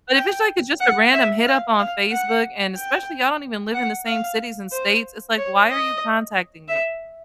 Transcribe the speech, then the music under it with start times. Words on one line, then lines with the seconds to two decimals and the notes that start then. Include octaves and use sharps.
But if it's like, it's just a random hit up on Facebook, and especially y'all don't even live in the same cities and states, it's like, why are you contacting me?
0.15 G5
0.80 F#5
1.12 E5
1.46 F5
1.78 F5
2.11 F#5
2.76 G5
3.74 F#5
4.06 F5
4.72 C5
5.37 C#5
5.70 D#5
6.68 E5